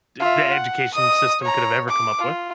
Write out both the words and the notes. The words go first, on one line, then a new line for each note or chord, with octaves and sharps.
s the education system could have ever come up with
F4 E5
F#5
D#5 D#6
C#5 A#5
D6
F4